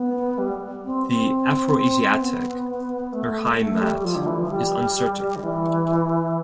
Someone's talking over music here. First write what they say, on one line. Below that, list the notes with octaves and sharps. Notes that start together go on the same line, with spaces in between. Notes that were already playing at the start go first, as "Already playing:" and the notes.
The Afroasiatic Urheimat is uncertain.
Already playing: B3
G3
C4
C4
B3
A3
A3
G3
G3
F3
D3
E3
F3
G3
D3
E3